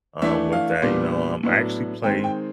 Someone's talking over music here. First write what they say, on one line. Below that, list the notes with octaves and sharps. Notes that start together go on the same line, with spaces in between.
um, with that, you know, um, I actually play,
E3 A3 D4 E5
F5
A#2 G3 B3 D4
A2 F#3 B3 D4
D#3 G#3 C4 D#4 G5
G5